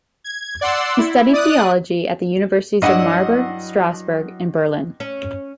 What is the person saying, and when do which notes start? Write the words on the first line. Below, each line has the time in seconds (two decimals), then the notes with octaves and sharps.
He studied theology at the universities of Marburg, Strassburg, and Berlin.
0.24 G#6
0.61 D5 F#5 C6 E6
0.98 E4
1.33 D5 D#6 F#6
2.82 G2 F#3 E4 D5 D#5 F#5
5.00 C#4